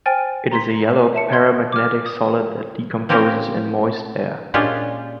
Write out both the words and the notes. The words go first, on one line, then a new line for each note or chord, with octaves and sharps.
It is a yellow paramagnetic solid that decomposes in moist air.
C5 G5 G#5 F6 A6
A#5 C6 B6
C#5 E5 A5 C#7
C6 G6 G#6
D6 F6
D#6
A#3 C4 C#4 G4 A#4
A#2 G#3 C#4 D4 F4 G4